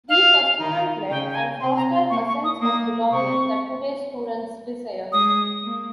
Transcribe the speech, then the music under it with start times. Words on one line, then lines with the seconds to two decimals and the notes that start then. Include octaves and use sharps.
These are student-led and foster a sense of belonging that today's students desire.
0.09 F5
0.59 D#3 D#4
1.09 C#3 C#4 G5
1.29 G5
1.35 G#5
1.60 C3 C4 C6
1.76 A#5
1.93 C6
2.10 A#3 C#6
2.27 C#6
2.44 D#6
2.61 A#3 D#6
3.11 C3 C4 C#6
5.12 G#3 D#6
5.62 A#3